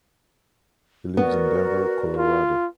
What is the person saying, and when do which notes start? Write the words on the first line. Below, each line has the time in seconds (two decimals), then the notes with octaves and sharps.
He lives in Denver, Colorado.
1.17 B3 F#4 A#4 D5
2.17 F4